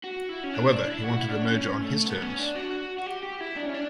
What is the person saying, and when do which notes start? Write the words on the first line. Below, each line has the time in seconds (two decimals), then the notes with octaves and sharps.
However, he wanted a merger on his terms.
0.04 F#4
0.29 E4
0.44 C#4
0.54 D4
0.70 D4
0.87 E4
1.04 F#4
1.16 E4
1.29 D4
1.42 C#4
1.55 C#4
1.80 A3
2.05 B3
2.22 C#4
2.39 D4
2.56 F#4
2.98 F#4
3.06 G4
3.23 G4
3.40 E4
3.56 D4
3.66 C#4
3.74 D4